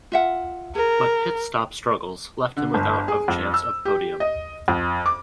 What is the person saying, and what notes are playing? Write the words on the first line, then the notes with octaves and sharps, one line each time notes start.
But pit stop struggles left him without of chance of podium.
F4 E5 F#5
G#4 A#4
D3
G1
G#4
F2
E6
G4
D#5
F2
D6